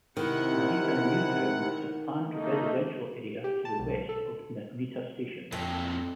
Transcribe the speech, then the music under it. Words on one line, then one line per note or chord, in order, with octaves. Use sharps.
Narita New Town is a planned residential area to the west of Narita Station.
C3 D#3 E4 F#5
A3 A#3 D#4
G4
A5
B1
A4
F2 A#2 A3